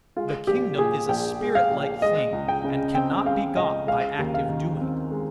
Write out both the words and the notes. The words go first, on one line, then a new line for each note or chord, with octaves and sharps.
The kingdom is a spirit-like thing, and cannot be got by active doing.
G#3 F4
A#1 G4
A#2 G#4
A#1 G5
G#3
F5
A#1
G#3 D#5
C#2
G5
C#3
C4 G5
G#3 F5
C#2 D#5
G#3 F5
D#2
F5
D#3
C4
G#3